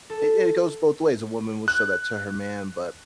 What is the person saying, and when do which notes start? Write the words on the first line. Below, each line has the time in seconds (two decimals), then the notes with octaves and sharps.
i i it goes both ways, a woman will show that to her man, but,
0.10 A4
1.68 F#6